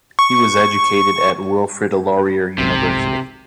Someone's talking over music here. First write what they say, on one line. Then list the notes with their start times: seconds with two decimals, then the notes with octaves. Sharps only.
He was educated at Wilfrid Laurier University.
0.19 C#6
2.58 G1 C2 G#2 C3